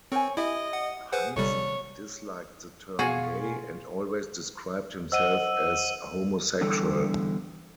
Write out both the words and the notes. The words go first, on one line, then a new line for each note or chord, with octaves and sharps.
Hansen disliked the term "gay" and always described himself as "homosexual".
C4 A#4 C5 C#5 G#5
E4 G4 D#5 E5
F#5
G#4 B4 C5 F#5
G1 C3 G3 A4 C#5
B2 F4 F#4 G#4 G#5 C#6
C5 D#5 F#5 E6 D#7 G7
E2 D3 G3 A4